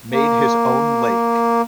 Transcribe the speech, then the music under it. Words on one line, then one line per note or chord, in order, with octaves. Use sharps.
Made his own lake.
A#3